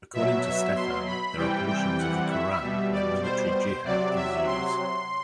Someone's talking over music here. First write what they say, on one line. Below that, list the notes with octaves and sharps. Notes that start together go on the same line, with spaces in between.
According to Steffen, there are portions of the Qur'an where military jihad is used.
B2 F#3 E5
E5
C6
B5
C3 E3 G3 G5
G5
F#5
E5
B2 G3
D5
C5
C3 F#3 D5
E5
C6